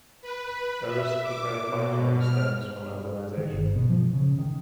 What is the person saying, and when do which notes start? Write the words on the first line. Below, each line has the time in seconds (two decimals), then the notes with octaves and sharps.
A risk for periphyton stems from urbanization.
0.22 B4
0.86 E5
1.22 D6
1.67 B2
2.18 F6
3.37 D#3
3.53 G1
3.76 B2
3.89 F3
4.13 C#3
4.38 D#3